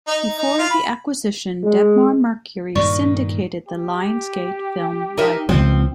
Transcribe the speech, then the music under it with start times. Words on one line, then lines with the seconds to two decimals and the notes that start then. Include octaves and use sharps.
Before the acquisition, Debmar-Mercury syndicated the Lionsgate film library.
0.07 D#4
0.21 D#4
0.38 D#4
0.59 F4
0.70 B5
1.64 G#3
2.75 G2 A#2 D#3 D5 C#6
3.68 G4
5.18 D#4 A#4 E5
5.49 C#2 F3 C4